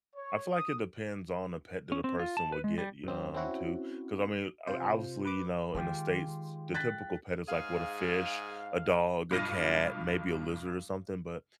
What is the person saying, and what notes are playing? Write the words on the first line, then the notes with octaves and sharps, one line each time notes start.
I feel like it depends on the pet that a person would get y um, to, 'cause, I mean, o obviously, you know, in the States, the typical pet is like, what, a fish, a dog, a cat, maybe a lizard or something, but,
C#5
D#6
C#4
C4
F4
A5
B4
G#3
G3
F#2 C4
C4 C#4 E4 F#4
C3 F4 C5
B4 D6
D#3 G#3 F4 G4
F#6 A6 B6
G#2 G#4 F5
B1 G2 F4 A#6 D#7